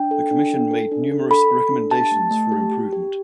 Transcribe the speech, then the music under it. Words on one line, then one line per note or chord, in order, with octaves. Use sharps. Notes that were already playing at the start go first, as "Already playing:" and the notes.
The Commission made numerous recommendations for improvement.
Already playing: D4 G5
A4
D4
A4
A4
D4
A4
A4 B5
A4
D4
G4 A5
A3
A3
G4
G4
G4